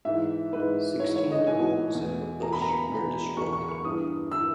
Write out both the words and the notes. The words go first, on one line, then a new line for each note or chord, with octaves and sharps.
Sixteen homes in La Push were destroyed.
G#2 E3 E5
G#2 E3 B4
G#2 E3 C#5
C#5
D#5
G#2 E3 G#5
E2 B2
E2 B2 A#5
B5
A#5
E2 B2
E2 B2 C#6
C#6
C#6
G2 E3 D#6
E3 E6